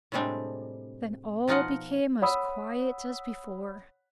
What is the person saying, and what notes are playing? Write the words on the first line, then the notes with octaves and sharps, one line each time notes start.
Then all became as quiet as before.
A2 C3 G3 G#3 C4 D4
B2 F3 D#4 F4 D#5 F#5
C#5 F#5 B5 D#6 E6